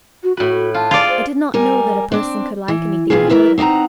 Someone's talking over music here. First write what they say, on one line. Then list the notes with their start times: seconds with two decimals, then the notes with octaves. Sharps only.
I did not know that a person could like anything that hurt her.
0.23 F#4
0.37 A2 F#4 B4
0.74 F4 A5
0.91 F4 G#4 D5
1.09 C5
1.54 G3 A#4 G#5
2.12 C4 D4
2.68 E3
3.10 B2 E3 C4 F4 G#4
3.30 E4 A#4 B4 E5
3.58 C4 D#4 D#5 F#5 A#5